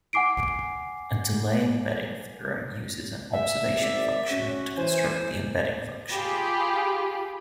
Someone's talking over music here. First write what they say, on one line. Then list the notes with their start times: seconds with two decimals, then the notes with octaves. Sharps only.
A delay embedding theorem uses an "observation function" to construct the embedding function.
0.13 F#5 G#5 D6 C7 D7
3.33 E5
3.76 G#1 D5
4.28 C#4 F#4
4.77 E3 C5 G#5
6.12 F4 G4 G#4 B5